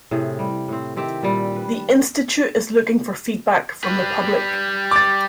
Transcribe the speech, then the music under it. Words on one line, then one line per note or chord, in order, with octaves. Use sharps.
The institute is looking for feedback from the public.
A2 C3 G#4
G3
A2 C4
D#3 C4 G4 E5
A#2 G3
B4
G3 B4
D6 A6